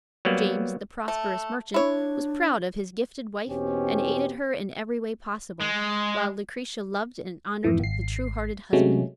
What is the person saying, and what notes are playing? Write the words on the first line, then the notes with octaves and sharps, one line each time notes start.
James, the prosperous merchant, was proud of his gifted wife, and aided her in every way possible; while Lucretia loved and honored the true-hearted husband.
F#3 G3 A#3 B3
A3
D4 E4 C#5
E2 B2 C4 C#4 G4
G#3
F2 G#2 E3
G#1 C7
C3 F#3 G#3 A3 C#4